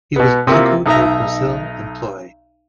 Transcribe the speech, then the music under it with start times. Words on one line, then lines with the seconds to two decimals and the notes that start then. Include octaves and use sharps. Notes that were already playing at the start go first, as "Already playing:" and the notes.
He was Banco do Brasil employee.
0.16 B2 B3
0.47 C3 A#3 E4 F4
0.86 B1 D#4 D#5 E5 A#5